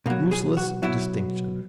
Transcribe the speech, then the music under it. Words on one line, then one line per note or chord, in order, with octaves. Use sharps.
Useless distinction!
B2 F#3 A#3
G#4
F#4
B2 F#3 E4